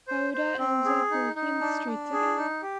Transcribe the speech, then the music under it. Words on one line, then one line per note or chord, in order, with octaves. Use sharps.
Adua ends up working in the streets again.
C5
C5
C4
G#4
D#4
D#4
D4
D4
G#4
D#4
G4